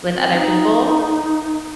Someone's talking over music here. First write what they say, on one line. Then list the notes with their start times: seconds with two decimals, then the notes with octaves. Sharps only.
with other people,
0.14 C4
0.35 D#4